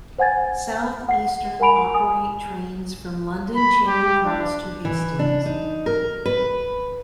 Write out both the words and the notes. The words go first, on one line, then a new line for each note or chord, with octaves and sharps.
Southeastern operate trains from London Charing Cross to Hastings.
C5 F#5 G#5 G#6 A6
F#5 C7
A#4 F#5 G#5 B5 D7 F7
G#5 D#6
B5
G4
D4
E3
D4
D#4
A#4
B4